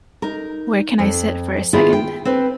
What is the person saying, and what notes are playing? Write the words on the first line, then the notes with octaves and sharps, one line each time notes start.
Where can I sit for a second?
D#4 A#4
F2
D#3 B3 E4 F4 G#4
G5
C4 B4 C5